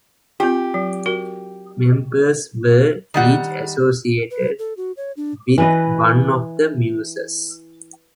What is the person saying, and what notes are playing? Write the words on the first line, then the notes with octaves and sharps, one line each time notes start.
Members were each associated with one of the Muses.
C4 F4 G4
F#3
F#4 A#4
D#3 G3 F#5
B4
A4
F#4
C#5
D4
E3 B4 D#5